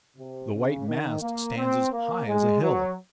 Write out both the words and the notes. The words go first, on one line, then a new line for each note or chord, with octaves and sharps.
"The white mast stands as high as a hill."
C3
C#3
D#3
A#3
C4
A#3
G#3
F#3